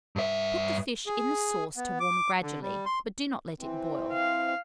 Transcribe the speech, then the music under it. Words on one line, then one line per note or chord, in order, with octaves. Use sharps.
Put the fish in the sauce to warm gradually, but do not let it boil.
G2 E5
G#4
B3
D6
D3
G3
C6
E3 C4
F5